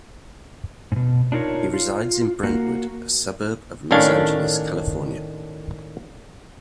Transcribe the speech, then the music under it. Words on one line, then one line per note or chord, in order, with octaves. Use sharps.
He resides in Brentwood a suburb of Los Angeles, California.
G#2 B2
D4 D#4 F4 A#4 C#5
F4
A#3 F#4 A#4
A2 D#3 C#4 D4 F5